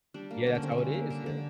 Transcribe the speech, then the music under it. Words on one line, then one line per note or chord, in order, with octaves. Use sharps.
Yeah, that's how it is. Yeah.
G3 D4
A#3
D3 D4
C#4
D3 C4
C#4
G3
A#3
D3
D3